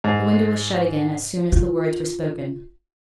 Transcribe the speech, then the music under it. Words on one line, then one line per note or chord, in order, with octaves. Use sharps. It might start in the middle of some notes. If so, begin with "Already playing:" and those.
The window was shut again as soon as the words were spoken.
G#2
F4